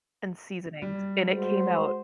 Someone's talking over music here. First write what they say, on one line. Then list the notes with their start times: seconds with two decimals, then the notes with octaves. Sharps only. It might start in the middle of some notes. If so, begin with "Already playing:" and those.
and seasonings, and it came out
0.82 G3
1.28 G#3 F#4 C5